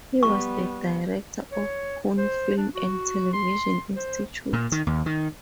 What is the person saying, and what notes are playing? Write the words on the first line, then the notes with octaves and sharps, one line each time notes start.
He was the director of Pune Film and Television Institute.
G3 B3 C#6
C#5
C5
D4
F#4
C6
C5
A#2
D#3
D#2
D#3